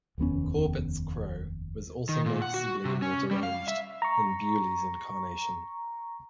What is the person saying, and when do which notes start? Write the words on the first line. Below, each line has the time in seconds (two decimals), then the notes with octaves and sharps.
Corbett's Crow was also noticeably more deranged than Beaulieu's incarnation.
0.18 F1 D#2 B3 C#4
2.09 D#3
2.26 A#2
2.42 F#5
2.54 F#4
2.85 C3
3.02 C#4
3.31 G3
3.43 F5
3.68 E5
4.02 A#5 C#6